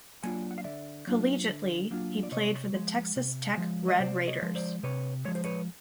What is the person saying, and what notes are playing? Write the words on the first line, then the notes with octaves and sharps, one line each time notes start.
Collegiately, he played for the Texas Tech Red Raiders.
F#3 A#3 D4 F4 F#5 G#5
F#5
F5
D3 D5 E5
F#3 A#3 D4 F4
D3
F#3 A#3 D4 F4
D5
C3 C#5 D#5
F3 G#3
C3
F3 G#3
D#5
C3 C5 D5
C#5 D#5
F3 G#3
C5 D5
C3 B4 C#5
F3 G#3 C#5
C5
B4 C#5